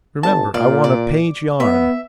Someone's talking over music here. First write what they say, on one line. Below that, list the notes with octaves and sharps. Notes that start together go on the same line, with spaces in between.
Remember, I want a page yarn.
G1 A5
A#2 D5 F5
D5
B3 E5